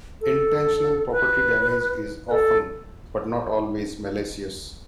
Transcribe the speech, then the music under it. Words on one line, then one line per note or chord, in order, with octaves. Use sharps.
Intentional property damage is often, but not always, malicious.
A4
B4
B4
A4